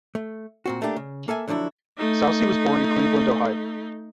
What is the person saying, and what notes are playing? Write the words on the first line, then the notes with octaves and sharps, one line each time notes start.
Soucie was born in Cleveland, Ohio.
A3
A#2 C4 F#4
A3 A#3 D4 G4
C#3
A#3 A4 E5 G#5
D3 F3 F#3 D4 E4
A3 D#4